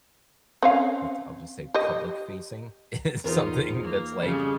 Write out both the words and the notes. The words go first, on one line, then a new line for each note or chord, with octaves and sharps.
let's I'll just say public facing. It's something that's like
C4 C#4 F5
G4 D#5
E2 D#4 F4 A#4 C5
A#3
F2 C#3 G3 G#4